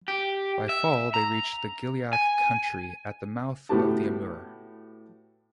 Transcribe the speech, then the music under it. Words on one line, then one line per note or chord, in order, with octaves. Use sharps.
By fall they reached the Gilyak country at the mouth of the Amur.
G4
E5
A#5
G#5
A2 B3 F#4 G4 A5